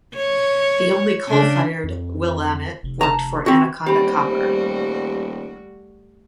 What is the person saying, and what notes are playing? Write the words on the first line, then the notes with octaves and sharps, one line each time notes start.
The only coal-fired Willamette worked for Anaconda Copper.
C#5
C#3 D4
F2
F1
A5 A#5
C4 F#4
D#1 G3 A3 C4 F#4 G4 B5